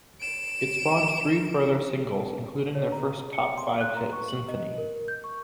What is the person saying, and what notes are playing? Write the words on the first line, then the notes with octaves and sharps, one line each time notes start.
It spawned three further singles, including their first top five hit "Symphonie".
D7 E7
C#5
A#5
C#7
C6
F#6
A#5
C#6
F#7
D#5
A#4
G6
C#6